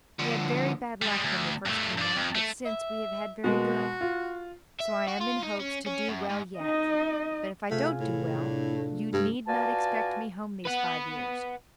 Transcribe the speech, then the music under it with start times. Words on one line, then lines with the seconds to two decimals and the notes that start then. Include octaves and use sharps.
We had very bad luck when we first came out, but since we have had very good; so I am in hopes to do well yet; but if I do n't do well, you need not expect me home these five years.
0.19 D3 F3
1.02 G3 G#3
1.24 D2
1.66 G2 A3
1.98 G2 D5
2.16 F2
2.35 A3
2.65 E5
3.44 B2 G#3 A#3 F#4
4.01 F4
4.81 E5
5.08 F#4
5.21 F4
5.43 D#4
5.60 C#4
5.86 C#4
6.08 F#2
6.29 G#2
6.58 D#4 D#5
7.71 C3 A3 F4 G#4
8.00 A2
8.34 A3 D4
9.13 G2
9.47 B3 F4 F#4 D5 G#5 A5
10.66 B4 F#5